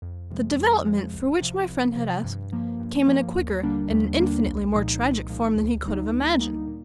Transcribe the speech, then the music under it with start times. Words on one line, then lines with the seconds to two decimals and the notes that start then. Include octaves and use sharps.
The development for which my friend had asked came in a quicker and an infinitely more tragic form than he could have imagined.
0.02 F2
0.31 C3 F3 G#3
0.58 F2
0.86 C3 F3 G#3
1.14 C2
1.41 C3 F3
1.68 C2
1.96 C3 F3
2.24 G2
2.53 F3 A#3
2.80 G2
3.07 F3 A#3
3.35 D#2
3.63 D3 G3 A#3 D4
3.90 D#2
4.18 D3 G3 A#3 D4
4.46 C2
4.73 A#2 F3 G#3 D#4
5.02 C2
5.30 A#2 F3 G#3 D#4
5.57 D2
5.84 D3 G3 A#3 D#4
6.12 D2
6.40 D3 G3 A#3 D#4
6.67 A#2